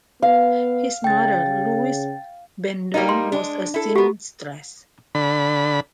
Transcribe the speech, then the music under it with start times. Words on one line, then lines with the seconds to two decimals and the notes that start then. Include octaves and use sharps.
His mother, Louise Bendome, was a seamstress.
0.22 B3 F5
1.04 C#3 G5 A6
2.94 G3 A#3 D#4 D#5
3.09 C6
3.32 G#3 D4
3.74 E4 A4
3.95 B3 F#4 G4 A#4
5.15 D3 B5